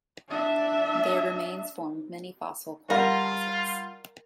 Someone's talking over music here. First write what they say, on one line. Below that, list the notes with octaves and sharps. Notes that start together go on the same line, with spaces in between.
Their remains formed many fossil coal deposits.
D4 E5
G3 F4 A#4 F5 F#5